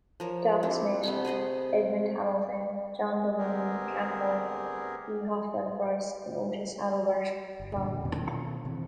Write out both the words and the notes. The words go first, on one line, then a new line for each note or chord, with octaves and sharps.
"Doc" Smith, Edmond Hamilton, John W. Campbell, E. Hoffmann Price, and Otis Adelbert Kline.
F3 A#4 C#5
C4 D4 E4 G4
C3 A3 B3
G#4 C5 D#5 F#5
D2 B3 C4 G4 G#4 A#4
G1
E2 G2 A#2 D3
B2 D#3 B3 C#4
B2 D#3 E3 C4